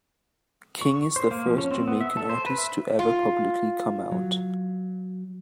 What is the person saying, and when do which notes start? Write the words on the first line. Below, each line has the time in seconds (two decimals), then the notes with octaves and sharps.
King is the first Jamaican artist to ever publicly come out.
0.81 C#6
1.16 C5
1.31 A#3
1.47 F3
1.58 C#4
1.71 C4
1.88 B3
2.01 E5
2.17 A4
2.29 C5
2.46 B4
2.58 E5
2.99 F4
4.12 F#3